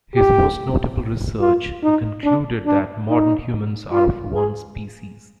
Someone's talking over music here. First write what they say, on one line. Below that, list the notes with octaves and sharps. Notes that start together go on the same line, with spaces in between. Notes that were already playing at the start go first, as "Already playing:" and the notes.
His most notable research concluded that modern humans are of one species.
G4
F4
D#4
D4
D4
D#4
F4
G#4